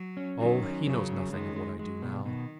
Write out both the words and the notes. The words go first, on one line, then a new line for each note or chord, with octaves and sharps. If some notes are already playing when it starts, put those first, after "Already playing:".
"Oh, he knows nothing of what I do now."
Already playing: F#3
C#4
D#3 F#3
C#4
C#3 F#3
C#4
D#3 G#3
G#3
F#3 G#3
B2
B2 D#3